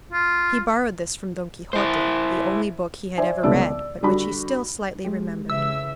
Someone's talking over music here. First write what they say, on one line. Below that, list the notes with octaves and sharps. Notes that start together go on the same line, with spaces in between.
He borrowed this from "Don Quixote," the only book he had ever read, but which he still slightly remembered.
F4
E4 C5
C5 D5 E5 G#5
C2 C#3 G#3 B3 D5 E6
D5
D3 G3 F#4 B5
G#3 G4
C#3 E3 E5 E6